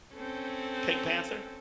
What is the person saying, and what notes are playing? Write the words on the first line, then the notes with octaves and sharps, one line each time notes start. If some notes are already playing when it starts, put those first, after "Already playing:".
The Pink Panther?
C4 C#4 A4